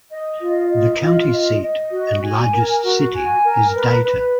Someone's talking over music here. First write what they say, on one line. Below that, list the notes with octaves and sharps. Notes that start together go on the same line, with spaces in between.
The county seat and largest city is Dayton.
D#5
F4
D#5
F4
D#5
D#5
F#4
G#5
A#4
F#4
G#5
A#4
B4
B4